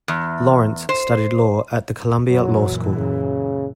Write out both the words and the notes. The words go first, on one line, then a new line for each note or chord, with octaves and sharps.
Lawrence studied law at the Columbia Law School.
E2
C5
F#2 A#2 E3 F#3
C#3